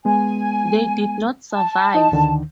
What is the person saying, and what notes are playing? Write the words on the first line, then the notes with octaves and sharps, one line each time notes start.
They did not survive.
G#3 B3 G#5
A5
D#4 D#5
D2 D3 D#3